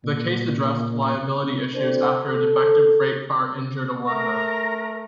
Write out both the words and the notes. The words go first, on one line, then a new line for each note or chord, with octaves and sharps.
The case addressed liability issues after a defective freight car injured a worker.
A#2
C4 D4 A4 C5
A4
A3 A#4 A#5